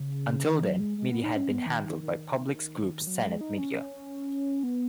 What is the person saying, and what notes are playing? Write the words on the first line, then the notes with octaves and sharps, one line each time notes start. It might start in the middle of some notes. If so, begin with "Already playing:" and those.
Until then, media had been handled by Publics Groupe's Zenith Media.
Already playing: C#3
D#3
F#3
G#3
G#3
B3
D#4
C#4
B3
D#3
D#3
D#3
F#3
G#3
D#4
C#4
B3